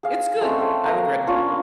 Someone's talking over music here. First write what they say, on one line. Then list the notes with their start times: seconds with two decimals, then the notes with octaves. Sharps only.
It's good, I would recommend it.
0.03 G#4 F5
0.41 G#3 A3 C4 C#4
0.58 A4 C5 G5
0.84 A#3 A#5
1.27 C#4 D4 F4 C#5